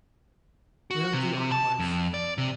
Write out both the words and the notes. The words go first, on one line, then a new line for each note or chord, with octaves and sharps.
We don't do encores.
F#4
C3
A5
F2
D5
C3